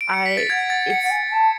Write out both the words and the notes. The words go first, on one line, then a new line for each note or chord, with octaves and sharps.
I it's
D7
C#7
B6
A6
F#5 G#6
A6
C#7
F#5
G#5
A5